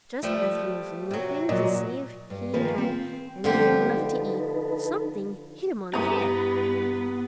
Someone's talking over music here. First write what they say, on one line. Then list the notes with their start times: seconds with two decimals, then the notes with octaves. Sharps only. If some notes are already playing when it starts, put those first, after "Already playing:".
Just as he was looking to see if he had anything left to eat, something hit him on the head.
0.23 F3 G3 A3
1.11 C3 F#3
1.49 A#2 F#3 D#5
2.30 G2
2.53 D#3 F3 A#3 G#4 B4
2.78 C4
3.44 D3 F3 G3 A3 C4 G4
3.96 D#4 A4 B4
5.93 G2 G3 B3 E4 G4 B4 A#5 D#6